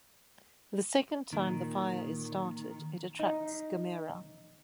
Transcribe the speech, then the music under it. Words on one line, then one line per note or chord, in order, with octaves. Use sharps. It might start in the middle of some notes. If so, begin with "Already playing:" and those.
The second time the fire is started, it attracts Gamera.
A#2 D#3
D#4